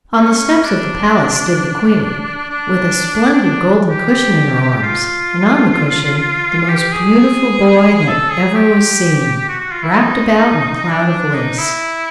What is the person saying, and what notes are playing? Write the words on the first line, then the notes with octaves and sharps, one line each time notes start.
On the steps of the palace stood the queen, with a splendid golden cushion in her arms, and on the cushion the most beautiful boy that ever was seen, wrapped about in a cloud of lace.
C#4
D4
D4
D4
G4
F4
G4
G#4
A4
G#4
G4
F#4
F#4
F4
E4
D#4
D4
D#4
E4